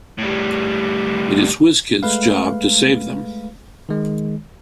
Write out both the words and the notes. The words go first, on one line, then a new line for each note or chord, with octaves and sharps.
It is Wizkid's job to save them.
A2 G3
G#3 A3 B4 F5
D#3 G#3